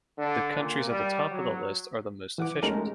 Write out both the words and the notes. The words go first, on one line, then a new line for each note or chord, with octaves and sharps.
The countries at the top of the list are the most efficient.
D3
A#2
G3
F#3
E3 F#5 D6
G#3 A3 C#4 D#4 G4 A#4